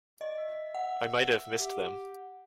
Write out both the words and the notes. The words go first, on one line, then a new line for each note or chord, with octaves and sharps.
I might have missed them.
D5 D#5
E5
F#5
G4